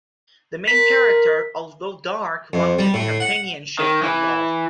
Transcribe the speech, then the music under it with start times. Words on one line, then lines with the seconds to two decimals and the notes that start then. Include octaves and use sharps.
The main character, although dark, wanted companionship and love.
0.67 A#4 B6
2.53 F2
2.79 G3
2.94 A2
3.20 F#5
3.79 D#3
4.02 E3